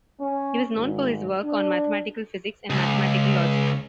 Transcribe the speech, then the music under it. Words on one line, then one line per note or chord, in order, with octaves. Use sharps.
He was known for his work on mathematical physics and mathematical logic.
C#4
G#1
D4
C#2